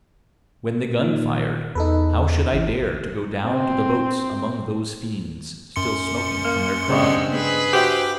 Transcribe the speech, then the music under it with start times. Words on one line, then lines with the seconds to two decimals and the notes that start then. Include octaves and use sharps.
When the gun fired, how should I dare to go down to the boats among those fiends, still smoking from their crime?
0.99 A#2 D#3
1.75 E2 D#4 A4 B4
2.53 A1 E3
3.43 C4
5.76 F#2 C6 C#7
6.45 A#3 F6
6.89 G2 C#3 G#3 B3 C4 D5 D#5
7.35 G#4 B4
7.73 F#4 G4 C5 E5 G5 D6